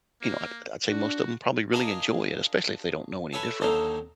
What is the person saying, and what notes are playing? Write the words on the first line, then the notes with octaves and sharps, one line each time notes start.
you know, I'd I'd say most of 'em probably really enjoy it, especially if they don't know any different
A#3
D4 F#4
D4 F4 G#4 A#4 D#5
A4 B4 C#5 E5 G#5 A5
D#2 D3 F#3 D#4 A4 C5